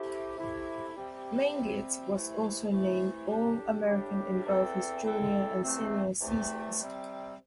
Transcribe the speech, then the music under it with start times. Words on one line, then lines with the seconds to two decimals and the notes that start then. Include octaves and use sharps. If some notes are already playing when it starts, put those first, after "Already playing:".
Mengelt was also named All-American in both his junior and senior seasons.
Already playing: C3 A3 E4 G4
0.36 C3 A3 E4 G4
0.95 C3 G3 C4 G4
1.52 C3 G3 C4 G4
2.12 C3 E3 A3 E4
2.70 C3 E3 A3 E4
3.29 A2 G3 D4 G4
3.87 A2 G3 D4 G4
4.45 E2 E3 C4 A4
5.04 E2 E3 C4 A4
5.63 E2 C3 A3 C4
6.21 E2 C3 A3 C4
6.79 C3 G3 C4